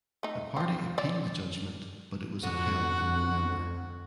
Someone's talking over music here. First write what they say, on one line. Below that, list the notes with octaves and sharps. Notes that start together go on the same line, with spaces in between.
The party appealed the judgement but it was upheld in November.
A3 D#4
C4 F4
C#5 D5
F2 D3 F#4 F#5